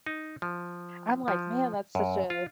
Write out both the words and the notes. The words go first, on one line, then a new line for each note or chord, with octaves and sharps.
I'm like, "Man, that's such a"
D#4
F3
F3
F#2
F4